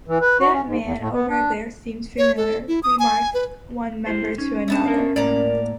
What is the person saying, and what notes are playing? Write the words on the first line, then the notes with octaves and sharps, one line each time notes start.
"That man over there seems familiar", remarked one member to another.
E3
B4
F#4
C#4
G#2
E2
A2
B3
D4
C#5
A4
E4
D#6
G#5
B4
E4 G4 C5
C#4 D#4
A3 B3 C#4 D4 A5
A#4 F5
A2 A#3 A#4 D5 A#5